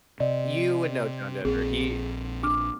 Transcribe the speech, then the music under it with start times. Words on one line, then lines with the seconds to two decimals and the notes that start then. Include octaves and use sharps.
You would know John Denver. He h
0.20 C3 D5 D#5
1.45 A#1 C4 G#4
2.43 D4 D6 F6